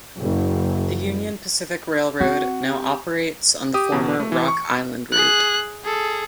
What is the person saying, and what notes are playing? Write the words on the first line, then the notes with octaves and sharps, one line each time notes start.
The Union Pacific Railroad now operates on the former Rock Island route.
F#1
C4 F#4
G4
G4 D#6
E2 B2
A3
E3
C#6
G#4 F#6
G#4 A4